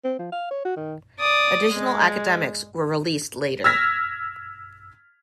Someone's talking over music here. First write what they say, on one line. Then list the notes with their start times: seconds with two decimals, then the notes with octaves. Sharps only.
Additional academics were released later.
0.04 C4
0.19 F3
0.32 F5
0.51 C#5
0.65 F#4
0.77 D#3
1.19 D5 D#6
1.72 G#3
3.64 E6 F6 G#6 A#6 B6